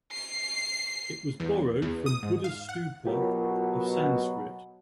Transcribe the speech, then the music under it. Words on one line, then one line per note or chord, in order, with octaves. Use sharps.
It was borrowed from "buddhastupa" of Sanskrit.
C7
E2
E2
D#6
G#2
F5
F#5
B2 F#3 F4 G4 A#4